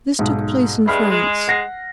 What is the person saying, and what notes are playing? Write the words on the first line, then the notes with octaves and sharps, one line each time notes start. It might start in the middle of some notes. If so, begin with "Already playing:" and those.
This took place in France.
B1 G#2
G2 G#3 E5 B5 F6
G#3
F#5 A#6 C7